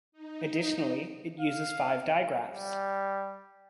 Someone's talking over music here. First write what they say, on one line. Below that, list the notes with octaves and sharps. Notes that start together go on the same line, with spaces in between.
Additionally, it uses five digraphs.
D#4
F5
G3